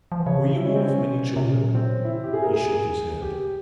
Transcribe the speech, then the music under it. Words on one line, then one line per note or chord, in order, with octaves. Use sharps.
Were you one of many children?' He shook his head.
F3
E3
C#3 C#5
E4
C#4
C4
C3 C#4
C3
A#2
C4
E3
C#3 E4
C3
A#2
G2 G4
G#2 G#4
A#4
A#2
G#4
C3
C#3 G4